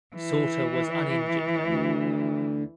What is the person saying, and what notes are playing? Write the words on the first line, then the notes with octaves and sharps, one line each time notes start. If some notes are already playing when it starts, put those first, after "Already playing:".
Sauter was uninjured, though.
E3
D2